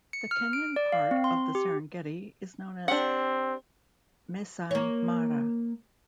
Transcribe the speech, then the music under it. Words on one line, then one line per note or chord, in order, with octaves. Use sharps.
The Kenyan part of the Serengeti is known as Maasai Mara.
C#7
F6
D7
D5
F5
C4
C6
G4
C4 D4 G4 F#5
A#3 C#5